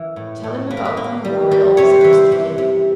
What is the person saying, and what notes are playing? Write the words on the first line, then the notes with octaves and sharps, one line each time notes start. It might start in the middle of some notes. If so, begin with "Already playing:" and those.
'Tell him about the Memorial,' said Mr. Dick.
Already playing: E3 A#4
A2
A2
A#3 B4
A#4
B4
A#3
G3
G3
C3 C#5
C5
E3 B4
C5
C3
C3